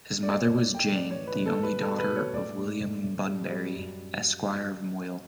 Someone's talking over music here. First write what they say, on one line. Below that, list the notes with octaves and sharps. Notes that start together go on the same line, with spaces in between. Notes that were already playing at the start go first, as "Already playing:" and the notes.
His mother was Jane, the only daughter of William Bunbury, Esquire of Moyle.
A3 D5
C#5
F#2
D5
A3
G5
A2 D5
C#5
E3
B4
A2
A4
G3 B4
B2 A4
B4
B2
C#5
A2 D5
A2
A2
A2
G3
G3
F#2